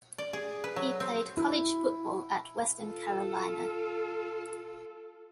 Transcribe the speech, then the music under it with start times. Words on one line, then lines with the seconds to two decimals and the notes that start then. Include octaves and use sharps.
He played college football at Western Carolina.
0.18 D5
0.33 G#4
0.64 B4
0.76 F#3
1.00 C4
1.37 E4
2.82 F4 A4